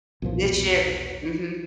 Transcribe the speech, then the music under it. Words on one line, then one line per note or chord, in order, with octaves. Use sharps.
this year mhm.
B1 E2 A#2 F3